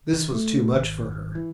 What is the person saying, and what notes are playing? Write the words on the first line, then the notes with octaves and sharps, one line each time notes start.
This was too much for her.
D#3
A3
G#1
E3